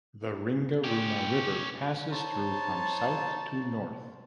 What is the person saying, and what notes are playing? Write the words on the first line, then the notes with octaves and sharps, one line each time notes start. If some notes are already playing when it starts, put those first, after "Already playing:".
The Ringarooma River passes through from south to north.
C#4 G4
D#4 C5 C#5 A5